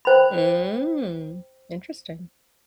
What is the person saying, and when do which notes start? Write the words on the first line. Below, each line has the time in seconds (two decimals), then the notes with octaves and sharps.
Mm. Interesting.
0.05 C5 G5 B5